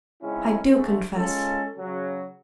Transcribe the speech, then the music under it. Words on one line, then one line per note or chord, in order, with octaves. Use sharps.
I do confess.
C#3 G#3 C4 C#4 D#4 E4
D3 G#3 A3
G#3 C#4 F4 A4
C#3 F#3